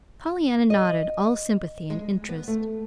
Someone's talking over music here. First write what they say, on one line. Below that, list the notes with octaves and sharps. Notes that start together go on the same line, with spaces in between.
Pollyanna nodded, all sympathy and interest.
D#5
G#3
B3
A3